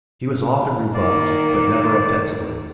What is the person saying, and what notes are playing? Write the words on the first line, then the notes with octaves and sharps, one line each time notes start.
He was often rebuffed but never offensively.
D#3 A#3 D5